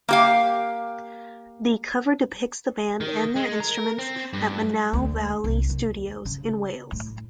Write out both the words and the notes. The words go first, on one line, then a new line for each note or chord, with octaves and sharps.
The cover depicts the band and their instruments at Monnow Valley Studios in Wales.
A#3 G4 F5
D#3
G#3
A#4
C4
G2
D2
C2
D#2
C#3
A2